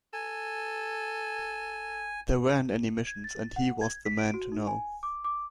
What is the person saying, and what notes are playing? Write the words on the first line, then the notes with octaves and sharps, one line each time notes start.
There weren't any missions, and he was the man to know.
A4 G#5
G#6
A6
F#5
G#6
B6
D7
F#4
D#4
G#5
D6
D6